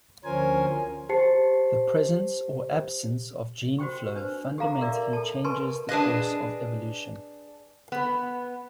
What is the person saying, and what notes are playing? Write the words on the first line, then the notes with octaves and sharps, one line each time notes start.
The presence or absence of gene flow fundamentally changes the course of evolution.
D2 F3 C#4 A#4 C5 G#5
G4 C5 A5 C7 C#7
F#4 G4 C5 G5 C#6
D4 B4 C5
G4 A4 F5 A#5 D6
G4 A#4 D5 E5 D6
A4 A5
A#4 B4 G#5 A5 C6 C#6
D4 G#4 B4 D#5
B3